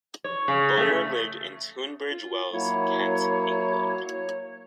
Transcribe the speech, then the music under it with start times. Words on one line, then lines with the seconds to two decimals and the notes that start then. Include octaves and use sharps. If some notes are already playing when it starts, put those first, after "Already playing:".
Bulmer lived in Tunbridge Wells, Kent, England.
0.24 C#5
0.48 C#3
0.78 A3
2.10 F4
2.53 F#3 A#3 E4 C#5